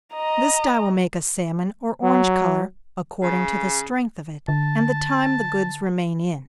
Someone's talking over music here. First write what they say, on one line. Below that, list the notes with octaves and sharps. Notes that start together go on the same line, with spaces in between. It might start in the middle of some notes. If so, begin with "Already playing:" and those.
This dye will make a salmon or orange color, according to the strength of it, and the time the goods remain in.
D#5 A#5
F#3
C#3
D3 A5